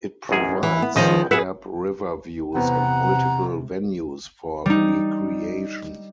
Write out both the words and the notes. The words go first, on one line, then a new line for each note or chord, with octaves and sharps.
It provides superb river views and multiple venues for recreation.
A1 F#2 G#4
E3
B3
C#2 D#3 F3 D#5
G#4 B4 E5 F#5
E2 C3 B3 C4 F#5 A#5
G3 D#4